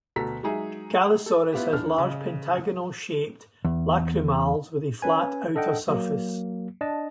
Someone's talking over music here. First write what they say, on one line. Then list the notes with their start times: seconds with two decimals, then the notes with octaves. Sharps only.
"Galesaurus" has large, pentagonal shaped lacrimals with a flat outer surface.
0.16 D2 B2 A4 A#5 B6
0.43 F#3 G#3 D#4 G#4 E5
1.26 A4
1.53 B3 E4 F4 G4 B4
1.73 E2 D4 F6
1.98 C#3 D#5
3.65 E2
5.02 C#4 B4 G#5
5.55 D4 A4 D#5 F#5 G5
5.88 F#3 A#3
6.81 D4 D#5 A5